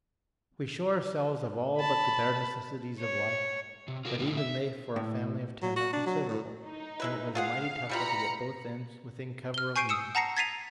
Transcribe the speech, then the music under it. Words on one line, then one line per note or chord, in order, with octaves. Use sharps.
We shore ourselves of all but the bare necessaries of life, but even they for a family of ten are considerable, and it was a mighty tussle to get both ends within cover of meeting.
A5 B5
C#5
C3
F4 F#4 A#4
F2 A2 D#3 E3
E5
A2
F#3
F#4
D4
F#3
A2
D#4
G#3 E4 B4
F4 G#4 F5 F#5
E3 G3 F4 A#5 B5 C#7
F6 G7
G#5 C#6 G6 C7 D7 D#7
D#6 E6 C#7 E7
F#5 A5 A#5 A#6 C7 C#7
G#6 A6 B6 C7 D#7 F7